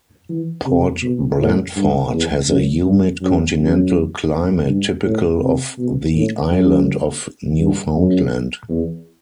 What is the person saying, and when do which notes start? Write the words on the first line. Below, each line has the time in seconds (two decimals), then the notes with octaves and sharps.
Port Blandford has a humid continental climate typical of the island of Newfoundland.
0.29 E3
0.66 C3
1.02 B2
1.38 A2
1.76 G2
2.12 E2
2.48 F#2
2.85 G2
3.21 F#2
3.59 F#2
4.67 G2
5.04 A2
5.41 C3
5.78 B2
6.14 A2
6.51 F#2
7.60 G2
7.96 F#2
8.69 E2